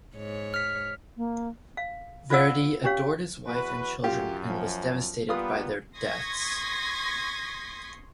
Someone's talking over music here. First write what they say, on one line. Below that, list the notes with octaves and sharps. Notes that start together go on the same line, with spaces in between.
Verdi adored his wife and children and was devastated by their deaths.
G#2 C#5
F6 B6
A#3
F5
F4 C5 D5 F5 F#5 E6
C#4 D4 G4 C#5 F5
E2 F#4 B4
F#2 F4 G4
F3
G3 A#3 B3 F4 B4 D#6
C6 C#6 D#6 G#6 A#6 B6